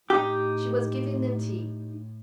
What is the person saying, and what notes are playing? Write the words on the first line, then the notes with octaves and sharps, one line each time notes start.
She was giving them tea.
A2 D#4 G4